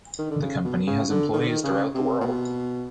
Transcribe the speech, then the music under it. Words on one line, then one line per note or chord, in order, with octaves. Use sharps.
The company has employees throughout the world.
D#3
D3
C#3
B2
C#3
D3
D#3
D3
D#3
C#3
C3
A#2
B2